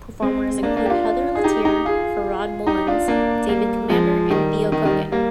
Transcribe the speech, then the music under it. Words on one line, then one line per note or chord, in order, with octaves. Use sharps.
Performers include Heather Litteer, Farrad Mullins, David Commander and Theo Kogan.
G#3 C4
A#3 D4
A#3 D4
G4
D4 F4
G#4
D#4 G4
D#4 G4
F4 G#4
D#4 G4
D4 F4
A#3 D4
G3 A#3
F3 G#3
D#3 G3
D#3
D#3 G3
G3 A#3